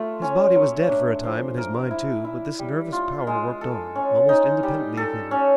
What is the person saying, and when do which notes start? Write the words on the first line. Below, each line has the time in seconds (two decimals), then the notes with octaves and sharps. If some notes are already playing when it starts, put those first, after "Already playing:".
His body was dead for a time and his mind too, but this nervous power worked on, almost independently of him.
Already playing: A3 F4
0.22 C#4
0.55 F#3
0.89 D4
1.24 F3
1.58 A#4
1.91 E4
2.25 E4
2.59 G3
2.93 F4
3.27 G#3
3.61 A4
3.95 C#4
4.29 D#4
4.63 G3
4.97 A4
5.31 C#4